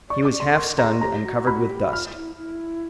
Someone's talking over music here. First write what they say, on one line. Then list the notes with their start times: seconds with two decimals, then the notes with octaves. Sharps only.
He was half stunned and covered with dust.
0.10 D5 C#6
0.25 D6
0.32 D5
0.40 C6
0.48 A4
0.55 A#4 C6
0.78 G#4 A#5
1.01 G4 A#5
1.24 F#4
1.47 B5
1.70 G4
1.81 F#4
1.93 F4 F6
2.09 F4
2.15 E4
2.38 E4